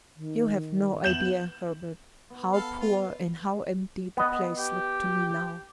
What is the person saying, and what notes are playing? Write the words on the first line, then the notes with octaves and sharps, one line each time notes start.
You have no idea, Herbert, how poor and how empty the place looked to me now.
D#3
B3 G6 E7 F#7
B3
A4 F5
F4
B3 D#5
G4